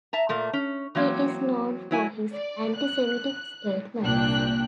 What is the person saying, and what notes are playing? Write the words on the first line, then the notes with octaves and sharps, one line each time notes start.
He is known for his anti-semitic statements.
E5 A5 A#5
A#2 A3 A#3
C#4
E3 F#3 A#3 C4
F#3 E4 G#5
D5
F#6
C2 A#2 D4 G5 F#6